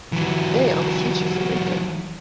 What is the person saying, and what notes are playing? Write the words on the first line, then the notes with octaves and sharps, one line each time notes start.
They are the future for Wrigley.
E3 F#3